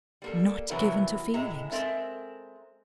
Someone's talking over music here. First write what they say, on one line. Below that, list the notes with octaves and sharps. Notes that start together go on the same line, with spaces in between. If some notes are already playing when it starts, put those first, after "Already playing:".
Not given to feelings!
G3 A#3 A4
C3 E3 F#3 B3 E4 A#4
A2 G#3 E5 A#5
G#3 C4 A4 A#4 E5